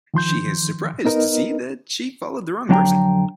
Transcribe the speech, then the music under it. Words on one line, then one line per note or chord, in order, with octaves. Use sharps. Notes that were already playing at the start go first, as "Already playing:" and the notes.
She is surprised to see that she followed the wrong person.
D#3 F3 C6 G6
B3 D#4 A#4 B4 D#5
F2 D3 F#3 D4 G5 A#5